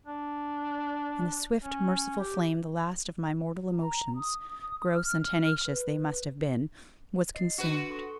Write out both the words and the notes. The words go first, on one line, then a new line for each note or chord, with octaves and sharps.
In a swift, merciful flame the last of my mortal emotions--gross and tenacious they must have been--was consumed.
D4
C#4
G4
A#5
D#6
F6
B4
D#5 C7
D4 F#4 B4
C6
A4 C6 C#6